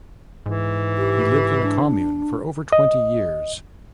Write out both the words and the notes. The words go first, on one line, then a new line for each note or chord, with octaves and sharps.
He lived in a commune for over twenty years.
G#2 E3
G4
D4
D#5